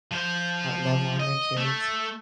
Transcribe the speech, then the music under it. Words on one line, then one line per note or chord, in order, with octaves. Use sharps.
love on your kids.
F3 C5
D#5
A3